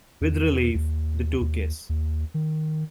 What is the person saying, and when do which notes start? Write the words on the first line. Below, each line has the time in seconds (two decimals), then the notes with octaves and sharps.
With relief, the two kiss.
0.21 E2
0.75 D#2
1.41 D#2
1.89 D#2
2.34 D#3